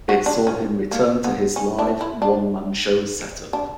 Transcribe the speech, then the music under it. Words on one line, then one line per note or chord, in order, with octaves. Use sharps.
It saw him return to his live one-man show set up.
F#4
D4
C#4
A#3
B3
C#4
D4
E4
D4
D4